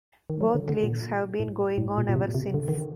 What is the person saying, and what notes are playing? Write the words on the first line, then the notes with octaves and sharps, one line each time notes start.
Both leagues have been going on ever since.
D#3
F#3
D3
D3
A#2
A2
A2
A#2
A#2
C3
C3
D3
D#3